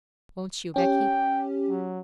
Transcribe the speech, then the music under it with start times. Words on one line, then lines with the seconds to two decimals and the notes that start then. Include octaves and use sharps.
Won't you, Becky?'
0.76 C#4 G4 G5
1.69 F#3